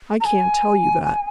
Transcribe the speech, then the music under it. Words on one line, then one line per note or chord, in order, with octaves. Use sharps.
"I can't tell you that."
A#5
G#5